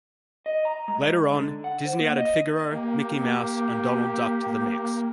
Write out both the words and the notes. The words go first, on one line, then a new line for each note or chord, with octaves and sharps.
Later on, Disney added Figaro, Mickey Mouse, and Donald Duck to the mix.
D#5
A#5
G#3
D3
F#5
C5
A#3
D#5
A#3 G4